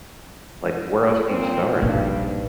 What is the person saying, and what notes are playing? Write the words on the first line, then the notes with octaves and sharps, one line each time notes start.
like, where else do you start?
A#2 C4
A#1 G2 D#4